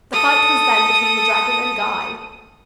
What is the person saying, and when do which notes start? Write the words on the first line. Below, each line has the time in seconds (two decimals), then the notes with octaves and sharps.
The fight was then between the dragon and Guy.
0.13 A4 D#6